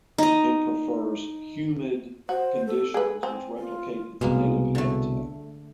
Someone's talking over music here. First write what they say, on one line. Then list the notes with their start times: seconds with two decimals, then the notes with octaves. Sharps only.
It prefers humid conditions which replicate its native habitat.
0.18 D#4 D#5
2.29 F#4 C5
2.66 A4
2.94 G#4 B4
3.23 C4 G#5
3.57 F4
4.21 C2 B2 G#3 A#3
4.75 D3 A3